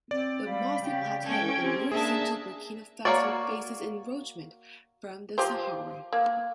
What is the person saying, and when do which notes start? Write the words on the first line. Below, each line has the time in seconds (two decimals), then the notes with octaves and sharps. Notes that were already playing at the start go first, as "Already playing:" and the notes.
The Mossi Plateau in north central Burkina Faso faces encroachment from the Sahara.
0.11 C4 D5
0.46 G3 F5 B5
0.84 C#3 G4 F5
1.26 G#3 C#4 A4 G5 G#6
1.60 C4 G4
1.92 A#3 D4 G#4 E5 A5
3.05 A#3 D#4 F#4 C#5 D5
5.38 F3 G4 C5
6.13 A#3